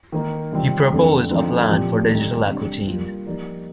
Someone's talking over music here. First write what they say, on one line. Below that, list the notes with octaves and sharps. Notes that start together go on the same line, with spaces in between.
He proposed a "Plan for Digital Aquitaine".
D#3 A#3 D#4
C3 D#3 G3 C4 F4
F2 D3 A3 C4
D3 F3 A3 C4 D#4
A#2 F3 C4 G4
D#3 G3 C4 D#4 A4
C3 G3 D4
G3 A#3 F4
F3 A#3 D#4 G4 D5